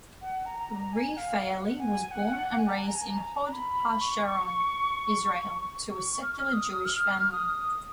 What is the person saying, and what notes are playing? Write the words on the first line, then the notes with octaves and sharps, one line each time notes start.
Refaeli was born and raised in Hod HaSharon, Israel, to a secular Jewish family.
F#5
A#5
A#5
A#5
G#5
F5
F#5
G#5
F#5
G#5
A#5
G#5
A#5
G#5
A#5
A#5
B5
C#6
C#6
F6
F6
D#6
F6
D#6